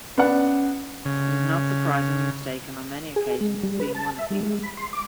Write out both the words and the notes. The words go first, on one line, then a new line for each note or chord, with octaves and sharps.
It is not surprisingly mistaken on many occasions as being one of these.
B3 C#4 D4 F#5
C#3
G#4
G#3
G3
B4
A5
E5
G3
G#3
B5
C6
D6